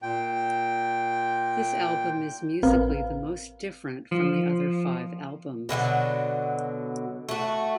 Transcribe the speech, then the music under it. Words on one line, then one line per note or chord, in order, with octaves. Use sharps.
This album is musically the most different from the other five albums.
A#2 G5
A1 C4 A#4 B4 F5
F3
B2 D3 D#3 F#3
A3 F#4